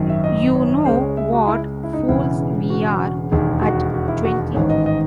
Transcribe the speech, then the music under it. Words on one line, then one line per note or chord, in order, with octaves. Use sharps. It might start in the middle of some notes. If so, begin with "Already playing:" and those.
You know what fools we are at twenty-two?
Already playing: G#1 F#2 D#3
E5
D#5
C#5
C#2 C#3 G#3 C5
C#5
E5
F#4
E4
E4
D#4
E1 E2 C#3 E3 E4
F#4
E1 D#2 D#3 G#4
F#4
F#4
E4
F#4
A1 G#2 D#3 C#5
D#5
D#5